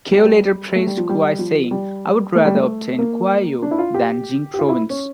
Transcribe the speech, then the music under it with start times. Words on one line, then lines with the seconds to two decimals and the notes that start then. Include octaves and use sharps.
Cao later praised Kuai, saying, I would rather obtain Kuai Yue than Jing Province.
0.12 G3
0.75 A3
0.87 G3
0.97 F3
1.09 G3
1.39 F3
1.71 G3
2.35 A3
2.45 G3
2.55 A3
2.99 A#3
3.62 D4
3.71 E4
3.78 F4
3.94 G4
4.54 G4
4.59 F4
4.69 E4
4.90 C#4